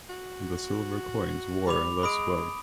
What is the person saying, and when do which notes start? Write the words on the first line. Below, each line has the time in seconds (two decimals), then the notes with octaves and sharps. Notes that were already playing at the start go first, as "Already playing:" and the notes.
The silver coins wore less well.
0.09 F#4
1.67 G3 B5 D6 F7
2.03 G#3 B5 D#6 D7